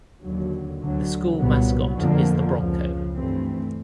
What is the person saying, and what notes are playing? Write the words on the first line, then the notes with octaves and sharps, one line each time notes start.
The School Mascot is the Bronco.
D#2 D3 F#3
D2 D3 F#3
C2 A#2 F#3 B3
F2 D3 F3 A#3
C#2 C#3 F3
G2 E3 A3 C4